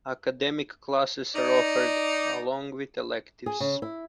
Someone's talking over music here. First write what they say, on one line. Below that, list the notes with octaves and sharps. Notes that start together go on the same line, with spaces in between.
Academic classes are offered, along with electives.
D#4 D5
G#4
C#3
E4